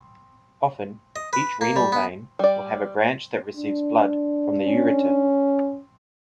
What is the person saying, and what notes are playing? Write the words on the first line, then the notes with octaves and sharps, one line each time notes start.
Often, each renal vein will have a branch that receives blood from the ureter.
D#5
B4
A#3
G3
B3
G3 D5
D4
C#4